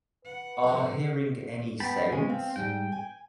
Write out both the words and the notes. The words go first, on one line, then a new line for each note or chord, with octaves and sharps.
Are hearing any sounds?
B4 F#5
F2 D3
B3 G5 A5 B5
C#3 G#3 G#5
C4 F5
G#2 G3 G5
G#5